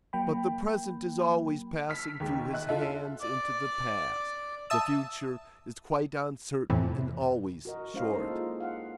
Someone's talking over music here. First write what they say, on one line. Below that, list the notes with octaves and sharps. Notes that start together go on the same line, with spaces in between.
But the present is always passing through his hands into the past; the future is quite uncertain and always short.
F#3 A#3 G5 B5
E6 F6 B6
D#2 G#3
E5 F#6
F4 A4 E5 A5
D5
E5 A5 D#6 E6
F2 A2 C3 E3
F#4 A#4 D#5
G#3 C#4 E4 C5 D#5 F5
G#3 A#3 D#4 A4 C5
F4 G#4
F5 F#5